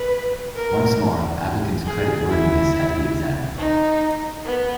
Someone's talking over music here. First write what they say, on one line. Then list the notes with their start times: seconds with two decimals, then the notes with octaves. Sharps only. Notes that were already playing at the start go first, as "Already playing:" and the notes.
Once more, applicants' credit-worthiness had to be examined.
Already playing: B4
0.55 A#4
1.86 G#4
2.29 E4
3.58 D#4
4.45 B3